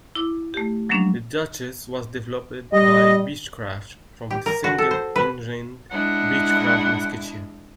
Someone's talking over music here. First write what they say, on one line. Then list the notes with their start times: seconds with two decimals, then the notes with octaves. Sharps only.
The Duchess was developed by Beechcraft from the single-engined Beechcraft Musketeer.
0.15 E4 D6 E6
0.54 A3 G4
0.89 F3 F#3 G#3 A#3 C#4 D4
2.73 G3 D#5
4.31 G4
4.46 A#4
4.64 F#4
4.78 A4
4.91 C5
5.16 B4
5.91 G#3 D4 E4 F#5